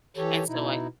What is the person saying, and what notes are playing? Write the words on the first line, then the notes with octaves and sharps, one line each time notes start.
And so I
E3 G4 A4 C#5
B2 D#4 E4